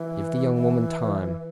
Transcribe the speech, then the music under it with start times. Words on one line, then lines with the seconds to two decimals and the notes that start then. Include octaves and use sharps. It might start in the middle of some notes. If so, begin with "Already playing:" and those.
"Give the young woman time."
Already playing: E3
0.55 E3